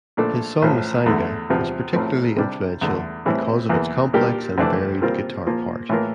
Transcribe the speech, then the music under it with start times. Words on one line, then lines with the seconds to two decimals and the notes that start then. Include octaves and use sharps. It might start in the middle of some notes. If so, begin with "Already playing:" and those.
His song "Masanga" was particularly influential, because of its complex and varied guitar part.
0.17 A#1 A#2 A3 D4 A4
0.62 A1 A2 F3
1.06 E2 D3 A3
1.50 E2 C3 F3
1.93 A1 A2 F3 A3 C4
2.37 C3 G3 D4 G4
2.81 E2 D3 A3
3.26 A2 E3 G3 C4 E4
3.69 E2 E3 A#3
4.13 A#2 G3 D4 G4 A#4
4.58 F2 C3 E3 A3 D4
5.01 A#2 G3 C4 F4 A#4
5.46 A#2 F3 A#3 F4
5.89 A2 E3 A#3 F4 A#4